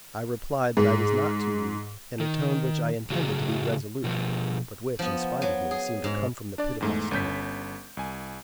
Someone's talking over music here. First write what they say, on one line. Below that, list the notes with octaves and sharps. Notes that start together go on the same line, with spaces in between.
I replied that I was not too weak, in a tone which I intended to be resolute, but which, in spite of me, seemed to come from the pit of my stomach.
G#2
D#3
A2 C#3 F#4 G#4
B2 F3
F3 B3
F#3
G#4
G#2
D4 D5
E2 G#2 A3
G1 C#4 G6 B6
C2 G#5